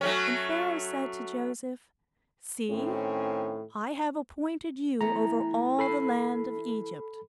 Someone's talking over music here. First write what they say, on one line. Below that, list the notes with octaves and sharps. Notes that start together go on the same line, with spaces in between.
And Pharaoh said to Joseph, See, I have appointed you over all the land of Egypt.
F#3 A3 C#4
A2 D#3 C4 C#4
E3 A3 B3 A#5
A4 B5 C7